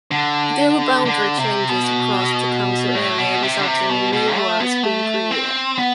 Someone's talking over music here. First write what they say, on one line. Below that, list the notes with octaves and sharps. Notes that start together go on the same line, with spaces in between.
There were boundary changes across the council area resulting in new wards being created.
D3
D3
C3
B2
A2
B2
C3
D3
C3
B2
B2
A3
B3
A3
C4
B3